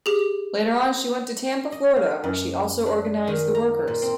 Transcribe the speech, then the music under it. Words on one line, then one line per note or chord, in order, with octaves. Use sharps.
Later on, she went to Tampa, Florida, where she also organized the workers.
G4 G#4
D#5
F5
F#2
D4
D#3
A#5
A#2
C4